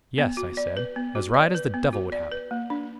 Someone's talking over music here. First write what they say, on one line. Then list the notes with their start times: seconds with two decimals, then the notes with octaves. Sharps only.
"Yes," I said, "as right as the devil would have it."
0.18 B3
0.37 F#4
0.57 D5
0.77 B4
0.96 B3
1.15 F#4
1.34 D5
1.55 B4
1.74 B3
1.93 F#4
2.12 D5
2.32 B4
2.51 A#3
2.70 D4